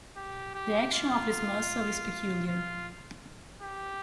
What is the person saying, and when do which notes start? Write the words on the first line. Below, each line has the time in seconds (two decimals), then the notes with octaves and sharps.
The action of this muscle is peculiar.
0.16 G4
0.54 G4
0.93 F4
2.47 F4
3.62 G4